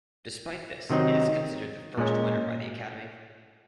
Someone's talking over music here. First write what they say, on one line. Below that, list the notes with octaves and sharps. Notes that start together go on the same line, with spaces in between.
Despite this, it is considered the first winner by the Academy.
C3 D#3 F#3 C4 D#4
A#2 G#3 C#4